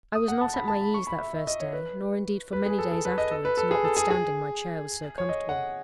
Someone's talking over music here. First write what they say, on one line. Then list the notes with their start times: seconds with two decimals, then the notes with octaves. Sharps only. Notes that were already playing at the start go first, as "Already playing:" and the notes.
I was not at my ease that first day, nor indeed for many days afterwards, notwithstanding my chair was so comfortable.
0.15 D#6
0.28 F#5
0.41 A5
0.54 B5
0.68 A5
0.81 B5
0.94 C#6
1.07 B5
1.20 E5
1.33 E5
1.47 D#5
1.60 C#5
1.73 B4
2.53 B4
2.66 G#4
2.79 A4
2.91 A4
3.05 B4
3.18 D#5
3.31 A4
3.45 B4
3.57 A4
3.71 G#4
3.84 A4
3.97 G#4
4.10 G#4
5.18 C#5
5.29 D#5
5.49 F#5